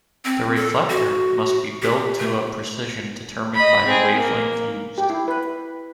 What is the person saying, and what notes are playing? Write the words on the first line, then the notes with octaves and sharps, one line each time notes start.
The reflector must be built to a precision determined by the wavelength used.
C4
A4
F#4
G4
A3
D#5 B5
C4 G#4
A#3
G4
E4
B4